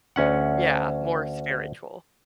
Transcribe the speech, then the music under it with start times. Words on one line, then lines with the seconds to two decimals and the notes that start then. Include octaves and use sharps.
Yeah, more spiritual.
0.16 D2 C#4 F#5